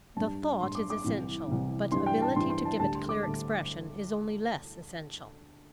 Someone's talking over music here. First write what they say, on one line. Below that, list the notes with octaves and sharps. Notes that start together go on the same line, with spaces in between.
The thought is essential, but ability to give it clear expression is only less essential.
G2 G3 A5
G2 G3 C6
D6
D6
C2 C3 E3
C2 C3 E3
G2 E3 G3 C6
G5
A5
G2 E3 G3 C6
C6
A5
D2 D3 G3 A5
C6
D6
D2 D3 G3 A5